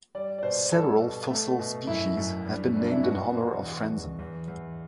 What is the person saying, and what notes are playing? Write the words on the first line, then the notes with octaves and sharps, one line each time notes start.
Several fossil species have been named in honor of Franzen.
G3 D5
D5
B2 C5
G3 A4
B2
A3
B2
F#2 E4
F#2
G2
G2 D4
E4
B2 F#4
B2
E2
E2
E2
E2